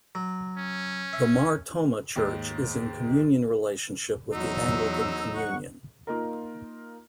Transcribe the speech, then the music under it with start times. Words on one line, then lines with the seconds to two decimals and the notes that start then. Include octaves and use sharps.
The Mar Thoma Church is in communion relationship with the Anglican Communion.
0.15 F#3
0.57 C#4
1.13 E5
2.16 D#2 G#2
4.33 E2 F#3 D#4 E6
5.35 F#5 C#6 F#6
6.07 A#3 D#4 F4 A#4